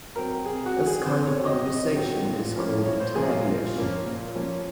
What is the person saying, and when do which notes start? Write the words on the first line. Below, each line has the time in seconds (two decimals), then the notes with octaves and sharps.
This kind of conversation is called Taglish.
0.16 F#3 C4 A#4
0.46 C3 G#4
0.66 F#4
0.76 F#3 C4
0.86 G#4
1.06 C3 C5
1.26 C#5
1.36 F#3 C4
1.46 D#5
1.65 C3 D#5
1.96 F#3 C4
2.25 A#2
2.56 F3 A#3 C#4
2.85 A#2 C#5
3.00 C5
3.15 F3 A#3 C#4 G#4
3.30 F4
3.45 A#2
3.75 F3 A#3 C#4
4.05 A#2
4.35 F3 A#3 C#4